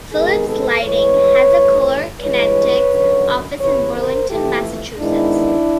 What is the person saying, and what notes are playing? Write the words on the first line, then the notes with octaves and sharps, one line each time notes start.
Philips Lighting has a Color Kinetics office in Burlington, Massachusetts.
C3 D#3 G#3 B3 G#4 A#4
A4 B4
A2 E3 G#3 B4 C#5
G2 E3 A3
G2 E3 G#3 B4 C#5
F#2 D3 F#3
E2 C3 E3 B4 C#5
A#4 C5
F2 C3 E3 A3 G4 A4
G#2 D#3 G#3 B3 D4 E4